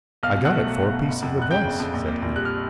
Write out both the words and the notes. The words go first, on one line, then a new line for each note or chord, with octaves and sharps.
"I got it for a piece of advice," said he.
B1 F5 F6
B2
F#5 F#6
A3
F#3
B1
B2
G1
F2
G1 F#6
C#3 G5 G6
G1
F2
A#1
A#2
A#1
G3 F#6
F6